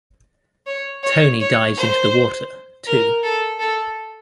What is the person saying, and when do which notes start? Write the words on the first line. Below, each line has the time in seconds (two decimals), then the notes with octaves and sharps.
Toni dives into the water, too.
0.66 C#5
1.03 C#5
1.40 C#5
1.77 C5
2.87 A#4
3.23 A4
3.60 A4